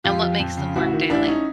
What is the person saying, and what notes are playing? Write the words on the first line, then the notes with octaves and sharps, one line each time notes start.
and what makes them work daily?
F2 F4 G4
F3
F2
C#3
A1 E4 F#4
D#3
A1 D4 E4
C#4 D#4